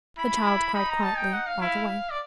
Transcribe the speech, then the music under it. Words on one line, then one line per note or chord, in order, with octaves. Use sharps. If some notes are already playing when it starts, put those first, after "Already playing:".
The child cried quietly all the way.
E4 B5
E4
D#4 B5
A#5
A5
G5
F#5
F5
E4 F5
D5